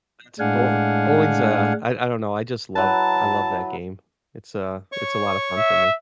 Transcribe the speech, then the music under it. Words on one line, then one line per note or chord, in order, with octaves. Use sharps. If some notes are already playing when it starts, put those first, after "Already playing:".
That's bowl bowling's a I I don't know, I just love I love that game, it's a it's a lot of fun for me.
A2 G#3 D4 F5 F#5 G#5
F#3 E4 B4 A5
C#5 C#6
E5